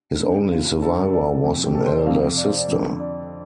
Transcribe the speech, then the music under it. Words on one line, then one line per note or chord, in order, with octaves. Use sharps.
His only survivor was an elder sister.
G2 D3
F4
G2 D3 A4
D5
F2 C3
G4
A4
C5
D5
F2 C3 F5
D5
C5
D5
F2 D3
D5